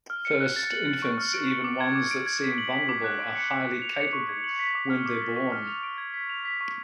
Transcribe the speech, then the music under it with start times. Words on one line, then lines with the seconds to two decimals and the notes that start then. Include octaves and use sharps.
First, infants, even ones that seem vulnerable, are highly capable when they are born.
0.10 F6
0.25 C#7
0.41 F#6
0.56 A6
0.72 F#7
0.88 A6
1.02 C#6
1.18 F6
1.33 D7
1.49 C#7
1.64 D6
1.80 G#6
1.95 D6
2.11 D7
2.26 G#6
2.42 B6
2.58 F#7
2.74 B6
2.89 D6
3.04 F#6
3.20 D7
3.35 C#7
3.51 D6
3.66 F#6
3.82 F7
3.97 C#7
4.13 C#6
4.29 G#6
4.44 F#7
4.59 B6
4.75 D6
4.90 F6
5.06 D6
5.21 A6
5.36 C#6
5.52 F6
5.67 F7
5.83 D7
5.98 G#6
6.14 B6
6.29 F7
6.45 B6
6.61 C#6